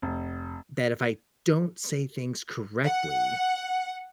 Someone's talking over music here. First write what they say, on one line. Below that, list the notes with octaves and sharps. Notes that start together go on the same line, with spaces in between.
that if I don't say things correctly,
F1
F#5